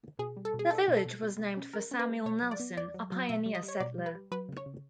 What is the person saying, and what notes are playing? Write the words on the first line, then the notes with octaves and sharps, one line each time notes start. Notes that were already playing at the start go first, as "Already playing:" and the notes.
The village was named for Samuel Nelson, a pioneer settler.
B2 G#4
G3
A4
B2
G#4
D#4 A4
B2
A4
B2
B2
B2
C#4
G#3 A#4
C#4
B4
G#3
B2 C#5
F#3
D5
B3
E2 D5
F#3
F#3
B2 E5
G3
D#5
G3
C#5
B2 D5
G3
B4
G3
F#3 B4
C#3
C#5
C#3